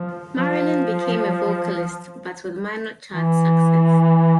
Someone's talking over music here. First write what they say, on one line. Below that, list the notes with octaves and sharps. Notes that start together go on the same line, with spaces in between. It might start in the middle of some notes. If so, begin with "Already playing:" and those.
Marilyn became a vocalist, but with minor chart success.
Already playing: F3
F3
E3